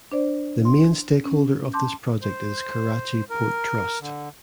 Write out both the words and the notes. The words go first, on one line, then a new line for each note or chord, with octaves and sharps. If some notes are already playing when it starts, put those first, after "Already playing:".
The main stakeholder of this project is Karachi Port Trust.
D4 C5 D5
C6
C#4
A5 C6 D6 G6
C5
A#4
D3